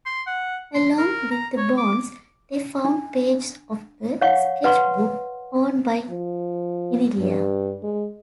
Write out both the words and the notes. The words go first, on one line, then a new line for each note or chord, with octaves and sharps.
Along with the bones, they found pages of a sketchbook owned by Idilia.
C6
F#5
C6
A#4
A#5
C#5
D6
D4
C#5 F5 F#5 C#6
B4 F#5 C6 C#6
F3
G2
G#3